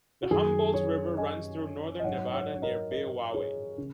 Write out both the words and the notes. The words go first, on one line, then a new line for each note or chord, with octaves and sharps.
The Humboldt River runs through northern Nevada near Beowawe.
F#4
F#2 D#3 F#3 G#4
G#4 C#5
D#5 G#5
D#5
G#2 F#3 C#5 F#5
C#5 F#5
C#5
A#4 D#5
A#4 D#5
G#4 C#5
C#3